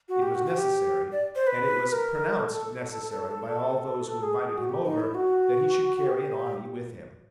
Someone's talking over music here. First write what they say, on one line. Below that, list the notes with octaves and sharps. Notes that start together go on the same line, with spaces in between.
It was necessary, and it was pronounced necessary by all those who invited him over, that he should carry an army with him.
F#4
G4
F#4
F#4
G4
D5
C5
B4
A#4
A4
G#4
F#4
G4
D#4
E4
F#4
F#4
G4